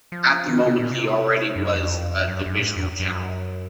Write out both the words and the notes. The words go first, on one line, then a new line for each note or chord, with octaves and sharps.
At that moment he already was a Divisional General.
F3
D#3
C3
A#2
C3
F#2
F2
F#2
F#2
A#2
G#2
F2
F#2